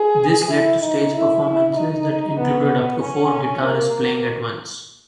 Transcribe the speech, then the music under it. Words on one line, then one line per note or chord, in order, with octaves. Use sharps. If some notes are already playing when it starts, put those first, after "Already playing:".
This led to stage performances that included up to four guitarists playing at once.
Already playing: G#4
E4
D#4
E4
E4
D#4
B3
C#4
A#3